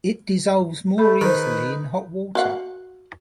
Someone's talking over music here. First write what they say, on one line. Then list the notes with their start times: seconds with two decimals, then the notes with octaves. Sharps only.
It dissolves more easily in hot water.
0.98 A3 A4 B5
1.21 D#3 D#4 G#4 B4 C5
2.35 F#4 F5 F#5